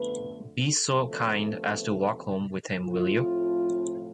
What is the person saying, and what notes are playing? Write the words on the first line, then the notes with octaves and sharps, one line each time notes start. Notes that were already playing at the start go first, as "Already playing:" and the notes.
Be so kind as to walk home with him, will you?
Already playing: F2 D3 A3 B3 B4
D2 C3 F3 A3 B3 A4
A2 F3 A3 C4 F4